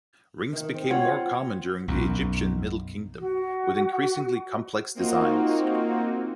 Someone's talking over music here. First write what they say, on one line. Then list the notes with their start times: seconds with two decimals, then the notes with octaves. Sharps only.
Rings became more common during the Egyptian middle kingdom, with increasingly complex designs.
0.53 D#3
0.74 C4
0.90 F4 C#5 F#5
1.88 B1 F#2
3.20 F#4
4.95 A#3 C4 D#4 F4 F#4